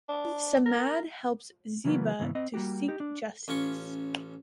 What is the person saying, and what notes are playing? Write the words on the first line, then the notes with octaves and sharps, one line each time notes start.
Samad helps Zeba to seek justice.
D4
A#4
C#3 E3 F#3 A#3 B3
D#2 G#2 C#3 E3 B3
C4 D#5
G3 A#3 F#4 G4
D#4 G4
D4
A1 C#4 F4 C#6